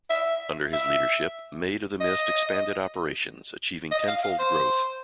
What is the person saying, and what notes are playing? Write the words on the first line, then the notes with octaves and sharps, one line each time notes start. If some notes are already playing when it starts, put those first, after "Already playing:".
Under his leadership, Maid of the Mist expanded operations, achieving ten-fold growth.
E5
E5
D#5
D#5
F5
F5
C5